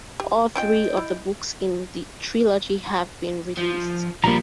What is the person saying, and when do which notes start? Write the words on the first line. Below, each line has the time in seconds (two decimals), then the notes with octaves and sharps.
All three of the books in the trilogy have been released.
0.20 G4
0.55 C#4 F4 D#5 G5 G6 D7
0.97 E4
3.57 F3
4.24 A#1 F3 G3 A#3 A#5 B5